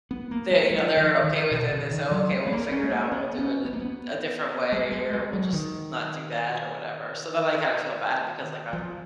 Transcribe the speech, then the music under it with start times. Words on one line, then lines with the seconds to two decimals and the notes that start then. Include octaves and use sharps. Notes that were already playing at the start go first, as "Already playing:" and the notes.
they you know, they're okay with it, they say, "Okay, we'll figure it out. We'll do it a a different way or we'll just not do that or whatever." So, then I kinda feel bad because, like, I'm
0.11 B3
0.31 A#3
0.51 G#3
0.70 F3
0.97 D#3
1.24 D#3
1.51 B2
1.71 C#3
1.91 D#3
2.11 F#3
2.31 G#3
2.47 B3
2.52 A#3
2.71 C#4
2.83 G#3
2.92 A#3
3.12 B3
3.39 C#4
3.65 B3
3.73 A#3
3.79 B3
4.72 G#3
4.92 G#3
5.13 G#3
5.33 F#3
5.53 D#3
8.73 F3